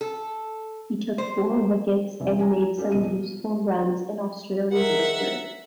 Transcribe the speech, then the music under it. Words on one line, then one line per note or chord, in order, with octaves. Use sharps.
He took four wickets and made some useful runs in Australia's victory.
A4
C5
F1 E3 F3 C#4
D5 G#5 A#5
C#4 F4 G4 A4 D5
E1 D#5 D#7
F3
D#3 G#4 A#4 E5 F#5